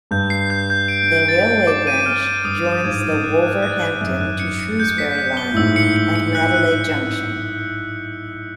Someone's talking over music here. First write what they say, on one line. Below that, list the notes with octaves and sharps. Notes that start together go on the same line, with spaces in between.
The railway branch joins the Wolverhampton to Shrewsbury line at Madeley Junction.
G2 G6
C7
G6
G6
D7
D7
A6
D7
D6
D#7
F6
D#7
G2 D#6
E7
G#2 G#6
G#6
F#6
F#6
F#6
F#6
F#2 F#6
F#6
C#7
C#7
G6
B6
G6
G7
A2
G#2 E6
C#7
C#7
C#7
F#6
F#6
F#6
F#6